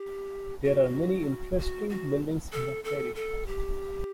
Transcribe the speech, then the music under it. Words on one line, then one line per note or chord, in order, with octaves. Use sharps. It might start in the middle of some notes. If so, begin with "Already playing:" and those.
There are many interesting buildings in the parish.
Already playing: G4
F#4
F#4
F#4
A4
A4
A4
G4